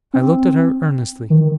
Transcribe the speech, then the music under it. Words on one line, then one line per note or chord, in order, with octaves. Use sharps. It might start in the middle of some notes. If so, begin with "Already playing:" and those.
I looked at her earnestly.
C4
D#3